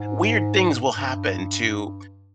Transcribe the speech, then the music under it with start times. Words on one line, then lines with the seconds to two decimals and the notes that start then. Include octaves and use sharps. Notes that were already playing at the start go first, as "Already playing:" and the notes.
weird things will happen to
Already playing: G#2
0.94 G2